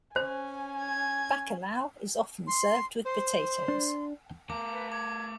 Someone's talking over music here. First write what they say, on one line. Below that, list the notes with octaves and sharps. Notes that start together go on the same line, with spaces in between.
Bacalhau is often served with potatoes.
C#4 C5 G#5
G#6
C6
C5 C6
D4
A3 A#4 D6
B4
D6 G#6